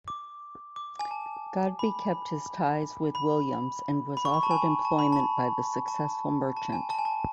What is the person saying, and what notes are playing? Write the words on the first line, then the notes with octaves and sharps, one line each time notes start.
Godbe kept his ties with Williams and was offered employment by the successful merchant.
D6
D6
G#5
A5
B5
B5
B5
C#6
B5
A5
G#5
A5
B5
A5
A5
A5
G#5
A5
G#5
A5